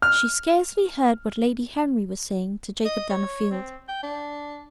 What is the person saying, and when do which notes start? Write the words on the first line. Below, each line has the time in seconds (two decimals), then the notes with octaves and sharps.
She scarcely heard what Lady Henry was saying to Jacob Delafield.
0.02 F6
2.85 D#5
3.10 C#5
3.51 C4
3.89 G5
4.03 D4